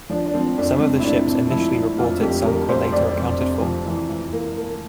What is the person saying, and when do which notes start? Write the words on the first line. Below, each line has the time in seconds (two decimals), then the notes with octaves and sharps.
Some of the ships initially reported sunk were later accounted for.
0.10 F3 D4
0.26 D4
0.34 F3 C4
0.58 F2 D4
0.80 F2 C4
0.99 E4
1.04 C3 D4
1.28 C3
1.50 F3 E4
1.74 F3
1.98 F2 F4
2.21 F2 G4
2.44 F3 A#4
2.69 F2 C5
2.92 F2 D5
3.16 F2
3.39 C3
3.62 F3
3.86 E3
4.10 E3
4.32 A#3
4.57 A#3